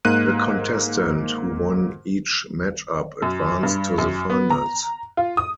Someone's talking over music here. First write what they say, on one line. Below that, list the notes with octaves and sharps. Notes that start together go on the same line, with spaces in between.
The contestant who won each matchup advanced to the finals.
G#2 A#3 F#6 D#7
F#2
G2
F#2
B3
A#5
F4
D#6